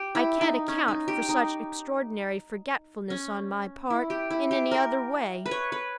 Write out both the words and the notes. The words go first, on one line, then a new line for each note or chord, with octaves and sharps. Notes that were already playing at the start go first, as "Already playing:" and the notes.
I can't account for such extraordinary forgetfulness on my part in any other way.
Already playing: G4
E4
D#4
C#4
D#4
G4
D#4
C#4
E4
G4
E4
G4
A#4
B4
C#5
B4